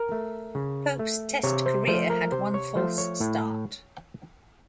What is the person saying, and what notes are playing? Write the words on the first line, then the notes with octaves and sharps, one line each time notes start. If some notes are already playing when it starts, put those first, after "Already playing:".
Pope's Test career had one false start.
Already playing: A#4
A3
C#3
A3
C3 C#5
C5
F3 A3 C5
A#4
C3 C5
C#5
F3 A3 C5
C#5
A2